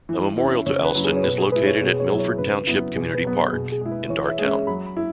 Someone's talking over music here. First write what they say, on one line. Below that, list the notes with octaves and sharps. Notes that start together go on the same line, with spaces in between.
A memorial to Alston is located at Milford Township Community Park in Darrtown.
E3
C#4 E4
C#3 C#5
B4
F#3 C#4 E4
G#4
C#5
B2 B4
G#4
G#3 E4 B4
C#5
B2 C#5
C#5
F#3 B3 E4
C#5
C#3 B4
F#3 B3 E4
B2 G#4
B4
F#3 B3
B2 G#4
G#4
G#3 E4
B4
E3 C#5
E5
G#3 C#4
E5
F#3 B5
B5
E4